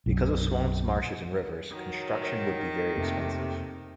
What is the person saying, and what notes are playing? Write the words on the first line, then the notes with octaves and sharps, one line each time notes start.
Because of swamps, marshes, and rivers, construction would be very expensive.
B1 F#2
D#3 F#3
F2 C3 A3 A#3 G4